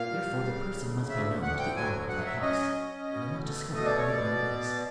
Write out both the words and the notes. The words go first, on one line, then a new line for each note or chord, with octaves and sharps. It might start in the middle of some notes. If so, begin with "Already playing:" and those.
Therefore, the person must be known to the owner of that house, and I must discover who the owner is.
Already playing: A#2 F5
G3
C#3
D2
D2 E5
D2 F#5
G5
F#3 G#5
F#3 F#5
E5
C#4 D#5
C#4
B2
A3
B2 D#5
D5
C#5
B2 D5